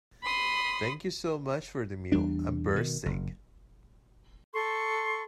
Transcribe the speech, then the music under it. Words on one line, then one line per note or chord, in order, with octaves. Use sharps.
Thank you so much for the meal, I'm bursting!.
B5 C6 D#6
E2 G3 D4
B2 D#3
F#1
A4 C6 C#6